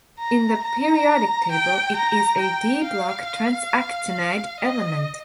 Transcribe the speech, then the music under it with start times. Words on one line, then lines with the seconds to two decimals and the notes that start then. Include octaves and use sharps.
In the periodic table, it is a d-block transactinide element.
0.19 A#5
0.63 A#5
1.51 G5
1.96 A#5
2.39 G5
2.83 F5
3.27 F5
4.59 D#5